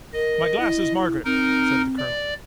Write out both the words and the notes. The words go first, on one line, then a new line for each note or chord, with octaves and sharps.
"My glasses, Margaret!" said the colonel.
A#4 D#5
E4
C4 D#4 A#4
D5